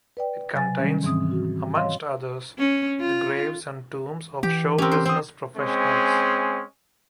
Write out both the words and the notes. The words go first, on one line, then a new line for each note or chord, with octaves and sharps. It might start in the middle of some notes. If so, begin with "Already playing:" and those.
It contains-amongst others-the graves and tombs of showbusiness professionals.
B4 D5 G5
C3 F#3 G#5 A6
D#3 G3 C#4
G#2 E3 C4 D#6
F#4
C#5 D#5 F5 C6
C#4
F4
E3 G4
C4 C#4 G4 A#4
C5
C4 C5 D#6
G#3 C4 C#4